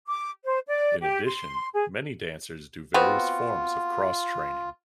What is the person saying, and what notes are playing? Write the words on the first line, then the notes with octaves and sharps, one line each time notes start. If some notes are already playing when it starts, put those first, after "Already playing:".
In addition, many dancers do various forms of cross training.
D6
C5
D5
G4
C6
G#4
B3 C4 F4 F#4